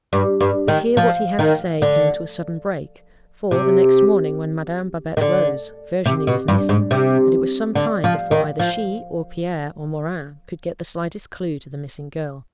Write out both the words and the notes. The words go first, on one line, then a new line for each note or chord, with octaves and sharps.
But here what he had to say came to a sudden break; for, the next morning, when Madame Babette rose, Virginie was missing, and it was some time before either she, or Pierre, or Morin, could get the slightest clue to the missing girl.
G2
G2
D#3
F3
D#3
D3
C3
D#3
D3
C3
B2
G2
G#2
C3
D3
F3
D#3
F3